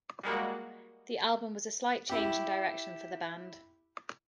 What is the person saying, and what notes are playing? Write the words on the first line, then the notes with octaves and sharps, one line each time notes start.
The album was a slight change in direction for the band.
G3 G#3 A#3 F#4
E4 G4